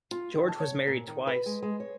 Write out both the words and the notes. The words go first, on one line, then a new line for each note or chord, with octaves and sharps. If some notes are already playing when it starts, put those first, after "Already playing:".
George was married twice.
F4
D#3
A5
C#5
A#2
D#3
B4
G#3
G#3
C#5